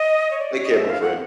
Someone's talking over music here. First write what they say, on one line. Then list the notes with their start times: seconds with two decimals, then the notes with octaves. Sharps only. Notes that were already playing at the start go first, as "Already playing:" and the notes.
Take care, my friend.
Already playing: D#5
0.31 C#5
0.41 D5
0.53 C#5
0.65 D#5
0.78 E5
0.90 F5
1.02 F#5